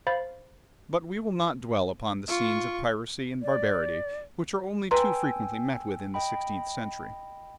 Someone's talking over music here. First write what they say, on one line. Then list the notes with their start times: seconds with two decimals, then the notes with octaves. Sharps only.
But we will not dwell upon the scenes of piracy and barbarity which are only too frequently met with in the sixteenth century.
0.07 C5 F5 B5 A6
2.28 F4 C#6
3.42 D5
4.91 B4 G5 G#5 A#5 C6 E6
6.14 D#5 G5 B5